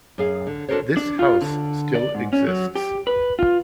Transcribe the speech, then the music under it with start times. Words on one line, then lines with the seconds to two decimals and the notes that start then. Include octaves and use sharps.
This house still exists.
0.18 F#2 G#4 F5
0.47 D3
0.69 D4 F#4 A4 A#4 C5 C#5
0.97 D4
1.19 F4
1.42 D3
1.95 D5
2.14 G#2
2.33 C#4
2.47 F#3
2.75 G4
3.07 B4
3.39 F4